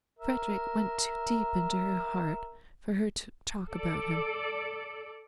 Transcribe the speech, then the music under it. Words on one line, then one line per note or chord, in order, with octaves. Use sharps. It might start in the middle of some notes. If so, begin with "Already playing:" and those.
Frederick went too deep into her heart for her to talk about him.
A#4 E5
A4 D5